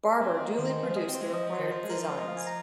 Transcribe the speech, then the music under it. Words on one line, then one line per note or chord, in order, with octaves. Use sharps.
Barber duly produced the required designs.
C4 G#5
C4
D#5
A#3
D#3 C5
D#3 C5
F3 F5
G#3 D#5
C4
C5
G#3
F3 D#5
F3
C5
D#3
F3 C5
G#3
A#4
F3
F3 C5
D#5
F5
G#5
A#5